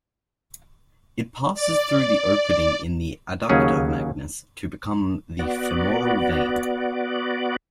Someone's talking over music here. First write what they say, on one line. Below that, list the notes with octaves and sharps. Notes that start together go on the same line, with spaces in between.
It passes through the opening in the adductor magnus to become the femoral vein.
D5
D#2 C#3 F#3 C#4 G#4
B3 F#4 D5